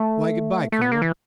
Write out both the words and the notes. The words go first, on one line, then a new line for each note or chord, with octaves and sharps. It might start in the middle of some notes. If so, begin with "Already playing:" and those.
"Why good-bye, Colonel?"
Already playing: A3
A3
B3
A#3
E3